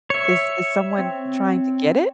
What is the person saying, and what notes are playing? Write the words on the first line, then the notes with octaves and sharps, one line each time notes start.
Is is someone trying to get it?
C#5 E5 C#7
C4